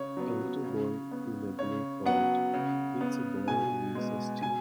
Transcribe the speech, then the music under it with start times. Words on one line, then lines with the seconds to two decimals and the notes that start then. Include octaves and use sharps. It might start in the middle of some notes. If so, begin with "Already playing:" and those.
A little boy in a blue coat hits a ball with a stick.
Already playing: C#3 C#5
0.17 F#3 B3
0.64 C#3
1.11 B3
1.59 C#3 C#5
2.06 F#3 B3 F#5
2.54 C#3
3.01 B3
3.48 B2 G#5
3.95 G#3 B3
4.42 B2 G#5